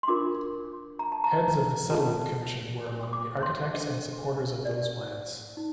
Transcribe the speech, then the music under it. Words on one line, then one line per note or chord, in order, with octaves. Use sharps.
Heads of the Settlement Commission were among the architects and supporters of those plans.
C6
D4 F4 A#4 D6
A#5
A5
A#5
F4 C5 A5
D#6
D6
C6
D4 A4 C5 D#5
D5
D#4